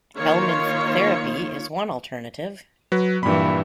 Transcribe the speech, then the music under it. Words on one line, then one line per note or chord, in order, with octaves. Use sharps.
Helminth therapy is one alternative.
D#3 A#3 F4 C#5
F#3 B4
G2 A#2 E3 B5